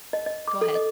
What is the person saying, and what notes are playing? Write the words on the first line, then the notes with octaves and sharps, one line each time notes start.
Go ahead.
D#5
D#5
D6
A4
D#5